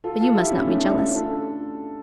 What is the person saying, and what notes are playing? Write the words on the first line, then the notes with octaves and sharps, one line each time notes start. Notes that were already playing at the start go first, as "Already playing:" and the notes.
"But you must not be jealous."
F4 A4
F4 A4
E4 G4
C#4 E4
A3 C#4
C#4 E4
D4 F4
F4 A4